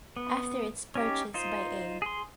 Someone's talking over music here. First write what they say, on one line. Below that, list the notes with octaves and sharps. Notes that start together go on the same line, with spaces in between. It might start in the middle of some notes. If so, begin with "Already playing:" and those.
After its purchase by A.
B3
C#4 D#4 G4
D#4 F4 C5
G#4 C6